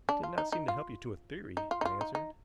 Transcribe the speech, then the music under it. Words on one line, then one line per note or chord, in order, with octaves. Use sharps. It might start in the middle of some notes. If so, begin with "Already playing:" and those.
"It did not seem to help you to a theory," I answered.
D4
F4
D#4
D#4
F4
D#4
F4
D#4
F4
D#4
D#4